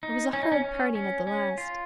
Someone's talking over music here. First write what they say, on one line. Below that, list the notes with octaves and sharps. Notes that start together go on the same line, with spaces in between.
It was a hard parting at the last.
D#4
C#4
D#4
C#4
C#4
C#4
C#4
F4